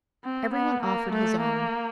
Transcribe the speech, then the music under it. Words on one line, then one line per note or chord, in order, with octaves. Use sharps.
Everyone offered his own.
C4
B3
A#3
A3
A#3